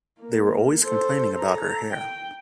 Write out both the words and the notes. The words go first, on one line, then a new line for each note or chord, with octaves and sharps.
They were always complaining about her hair.
A#3
A4 C5
A4 A#5
G5